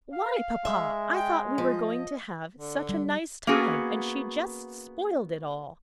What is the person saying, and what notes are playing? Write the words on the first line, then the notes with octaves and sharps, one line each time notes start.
"Why, papa, I thought we were going to have such a nice time, and she just spoiled it all."
F5
G#3 E5
G5
F3 D#5
D3
G3
A#3 B3 C#4 F#4 G#4